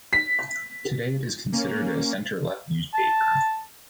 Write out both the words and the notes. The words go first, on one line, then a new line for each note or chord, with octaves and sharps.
Today it is considered a centre-left newspaper.
B6
A#3 C#4
A5